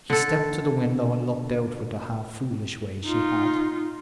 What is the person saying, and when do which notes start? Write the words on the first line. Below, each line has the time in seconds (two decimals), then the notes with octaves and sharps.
She stepped to the window and looked out with the half-foolish way she had.
0.10 D3 A4
3.05 D#4 F4